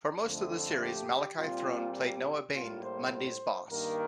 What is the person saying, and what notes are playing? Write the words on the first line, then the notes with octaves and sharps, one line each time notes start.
For most of the series, Malachi Throne played Noah Bain, Mundy's boss.
F2 D3 F3 A3
G4
A#2 G3 C4 F4
G4
A2 G3 A#3 F4
C5
C5
G2 D#3 A#3 A#4